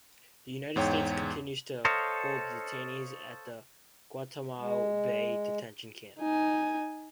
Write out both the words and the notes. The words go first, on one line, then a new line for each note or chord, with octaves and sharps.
The United States continues to hold detainees at the Guantanamo Bay detention camp.
E2 G#2 C#5 G5
A4 C5 C#5 D#5 F5
G#3
D#4 G#5